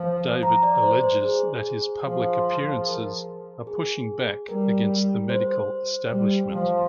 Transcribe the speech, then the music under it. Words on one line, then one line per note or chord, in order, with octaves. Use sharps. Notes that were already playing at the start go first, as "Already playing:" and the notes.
David alleges that his public appearances are pushing back against the medical establishment.
Already playing: F3
A#5
D5
C5
C5
G#4
F3
G#4
A#4
G#4
G3 A#4
C5
G3
F3